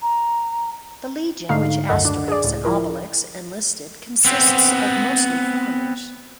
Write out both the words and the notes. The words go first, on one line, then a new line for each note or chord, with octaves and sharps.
The legion which Asterix and Obelix enlisted consists of mostly foreigners.
A#5
G#2 D3 A3 D#4 F5 C7
C#2 F#2 A4 D#5 F#5
D4
G#4 D5
C#2 A2
F3 E4 A#4
B3 C4